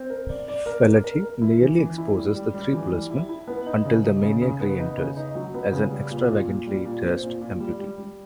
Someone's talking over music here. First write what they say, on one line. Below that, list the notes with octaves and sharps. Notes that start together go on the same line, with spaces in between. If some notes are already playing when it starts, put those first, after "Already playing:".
Feletti nearly exposes the three policemen, until the Maniac reenters, as an extravagantly-dressed amputee.
Already playing: C4
A#4
D5
D5
A#4
A#4
A#4
A#4
E4
E3
E3
E4
G3
G3
G3
E3
G3
E4
E4
B3
D#4
C#3
D#4
C#3
C#3
B3
D#4
C#3
D#4
F#3
B3
C#3
G3
A#2
A#2
A#2
G3
A#2
C4
A#2
A#2
G3
G3
G3